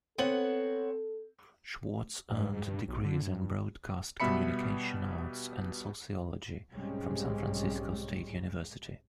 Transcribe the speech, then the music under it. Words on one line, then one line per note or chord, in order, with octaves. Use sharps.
Schwartz earned degrees in Broadcast Communication Arts and Sociology from San Francisco State University.
B3 C4 A4 C#5 F#5 F#7
G2
G#2
G2
B1
D3
G2
B2 G3 B3 E5 B5 C#7
B1 G#2 C3 G3 G#3 C#4